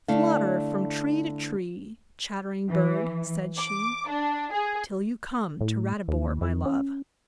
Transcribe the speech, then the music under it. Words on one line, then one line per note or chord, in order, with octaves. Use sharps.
'Flutter from tree to tree, chattering bird,' said she, 'till you come to Ratibor, my love.
D3 A3 E4 A4 F5
E3
D6
D4
G#4
A2
D#2
F2
C#4